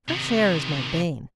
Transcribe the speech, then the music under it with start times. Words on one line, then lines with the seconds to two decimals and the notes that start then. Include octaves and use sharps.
Fresh air is my bane.
0.09 C3 D#3